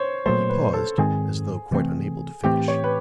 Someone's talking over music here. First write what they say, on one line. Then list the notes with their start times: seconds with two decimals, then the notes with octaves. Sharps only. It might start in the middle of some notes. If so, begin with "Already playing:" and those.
He paused as though quite unable to finish.
Already playing: C5 C#5
0.26 A#2 F#3 A3 C5
0.49 B4
0.73 A4
0.98 G#2 D#3 G#3 C4 G#4
1.71 C3 E3 A3 C4
2.44 A2 E3 A3 C4 G4
2.68 C#5
2.84 B4